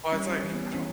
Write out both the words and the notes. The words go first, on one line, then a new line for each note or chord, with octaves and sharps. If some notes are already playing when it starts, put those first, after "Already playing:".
Well, it's, like, I don't
G3 C#4
C#4
E3
B3
E3 C#4